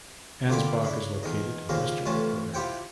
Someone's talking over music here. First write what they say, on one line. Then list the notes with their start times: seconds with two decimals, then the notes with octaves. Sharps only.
Ansbach is located in western Bavaria.
0.49 A#2 D3 F4 G4 B5 D6
0.82 C#3 D4 E4
1.23 E2 D#4
1.69 D#2 A#2 C#3 F3 A#3 F5
2.06 A1 F2 C#4 F4 A5
2.54 E4 F4 G4 C5 F#5 G5